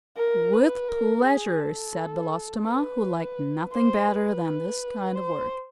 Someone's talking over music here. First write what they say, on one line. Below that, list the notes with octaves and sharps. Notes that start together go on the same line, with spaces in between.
"With pleasure," said Belostoma, who liked nothing better than this kind of work.
A#4
B4
A#4
G#4
A4
B4
C5
B4
C5